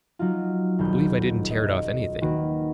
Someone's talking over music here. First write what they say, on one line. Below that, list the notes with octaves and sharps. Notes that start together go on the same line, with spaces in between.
I believe I didn't tear it off anything.
F#3 D#4 F4
D#1 B1 B3 G6
D#5
D#3 A#3 F#4 B4